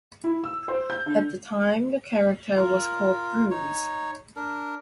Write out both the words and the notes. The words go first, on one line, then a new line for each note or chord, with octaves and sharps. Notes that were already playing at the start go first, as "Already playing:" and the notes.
At the time, the character was called "Bruce".
E4
E6
C5
G6
D3
F4 A#4
D#4 C#5
D4 A#4